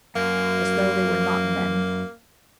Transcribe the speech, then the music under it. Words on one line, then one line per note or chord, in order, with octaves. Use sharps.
As though they were not men.
F#2 A#3